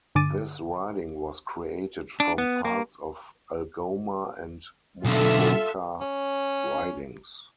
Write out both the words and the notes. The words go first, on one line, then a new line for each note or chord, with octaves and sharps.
This riding was created from parts of Algoma and Muskoka ridings.
G2 D3 D6 A6 D#7
D4
B3
A#3
B1 D3 F4 A4 E5
C#4